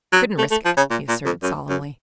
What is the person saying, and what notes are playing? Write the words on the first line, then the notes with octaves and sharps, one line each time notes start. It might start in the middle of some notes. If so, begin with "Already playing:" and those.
"Couldn't risk it," he asserted solemnly.
F#3
A3
A3
F3
C#3
A#2
A#2
F2
F#2
F#2